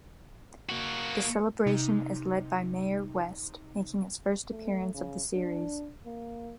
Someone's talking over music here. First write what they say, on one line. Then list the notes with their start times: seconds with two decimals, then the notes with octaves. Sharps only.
The celebration is led by Mayor West, making his first appearance of the series.
0.69 A#3 F#4
1.66 C3 D#4
4.51 A3
4.94 C#3
5.34 D4
6.06 A#3